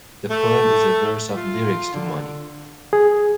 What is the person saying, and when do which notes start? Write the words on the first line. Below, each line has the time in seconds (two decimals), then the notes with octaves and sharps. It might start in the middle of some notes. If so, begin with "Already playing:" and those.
The poem is a verse of lyrics to "Money".
0.31 A3
1.36 F4
1.94 D3
2.93 G#4